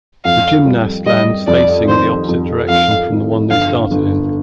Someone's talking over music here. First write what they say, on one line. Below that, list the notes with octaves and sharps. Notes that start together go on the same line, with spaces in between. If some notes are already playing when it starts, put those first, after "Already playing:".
The gymnast lands facing the opposite direction from the one they started in.
F2 F5
G3
G3 D#5
F2 D5
D#3 C5
F2
F2 F5
D#3
G1 F5
G1